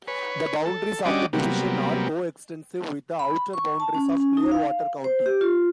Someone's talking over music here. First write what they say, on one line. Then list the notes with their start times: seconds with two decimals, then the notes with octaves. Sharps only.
The boundaries of the division are coextensive with the outer boundaries of Clearwater County.
0.08 B4 C#5
0.66 A4
1.05 G3 C#4 D4 F#4 D#5 D6
1.33 C3 F#3 G3 A#3 B3
3.19 B5
3.53 C#6
3.80 A5
3.95 C#4
4.20 C#4
4.37 D#4
4.52 F5
5.04 C5
5.26 G4
5.41 F4